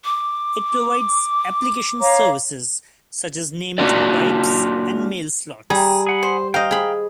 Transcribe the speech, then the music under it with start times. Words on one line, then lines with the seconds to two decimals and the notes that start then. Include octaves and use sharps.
It provides application services such as named pipes and MailSlots.
0.05 D6
2.00 C#5 F5 A#5
3.78 A#3 C#4 D4 F4 F#4 D5
5.70 G3 G#4 A#5
6.07 G#4 F#5 B5
6.23 C5
6.54 C5 D#5 F5 G5 A#5
6.71 G#4 B5